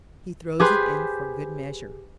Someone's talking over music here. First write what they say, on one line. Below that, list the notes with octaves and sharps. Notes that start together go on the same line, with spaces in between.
He throws it in for good measure.
G4 G#4 B4 C5